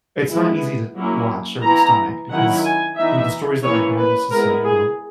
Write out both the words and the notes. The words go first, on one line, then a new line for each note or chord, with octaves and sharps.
it's not easy to watch or stomach because, me the stories that my dad used to say, you know,
G#3 B3 E4
F#3 A#3 C#4 E4
E3 B3 E4 A#5
D#3 F#3 C#4 E4 F#5
G#5
E3 B3 D#4 E5
E3 A#3 C#4 E4 C#5
B4
G#3 B3 E4 A#4
G#4